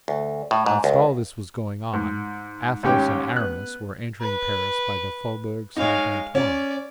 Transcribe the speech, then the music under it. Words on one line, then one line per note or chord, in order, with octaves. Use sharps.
Whilst all this was going on, Athos and Aramis were entering Paris by the Faubourg St. Antoine.
D2
A2
G#2
C#2
G#2
D#2 G#2 C#4 G4 G5
B3 F#6
B4
G#3 D#4 C#5 F5
C#4 D5